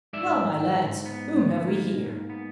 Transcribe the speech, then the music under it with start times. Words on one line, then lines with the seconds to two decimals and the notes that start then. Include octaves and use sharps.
"Well, my lads, whom have we here?"
0.13 G#2 D5 E5
0.44 G#2
0.75 G#2
1.06 B3
1.36 G#2
1.68 A#3
1.99 G#2
2.30 B3